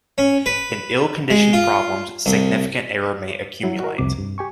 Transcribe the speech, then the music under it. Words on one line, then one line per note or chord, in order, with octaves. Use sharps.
In ill-conditioned problems, significant error may accumulate.
C#4
B4
G#3
F4
C2
F#3 E4
F#4 A#4
C2 F2 C3 D6
G2
G4 G#5 C#6